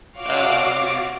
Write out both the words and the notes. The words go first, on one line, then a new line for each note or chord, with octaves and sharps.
Oh, man.
F4 F#4 C#5 F5 F#5 D6